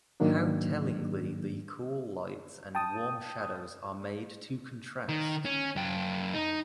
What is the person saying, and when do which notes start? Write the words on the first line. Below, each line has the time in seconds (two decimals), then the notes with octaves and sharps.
How tellingly the cool lights and warm shadows are made to contrast.
0.20 G#2 D#3 F#3 A#3 D4
2.75 G5 A5 D#6
5.09 D#3
5.45 C#4
5.76 F#2 G5
6.34 D#4